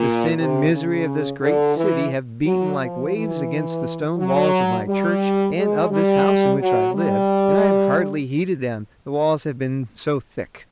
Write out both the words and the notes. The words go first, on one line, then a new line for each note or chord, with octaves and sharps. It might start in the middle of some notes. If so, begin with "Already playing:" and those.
The sin and misery of this great city have beaten like waves against the stone walls of my church and of this house in which I live, and I have hardly heeded them, the walls have been so thick.
Already playing: A#2
C3
C#3
D3
E3
F#3
F3
E3
F#3
G3
G#3
G3
F#3
G3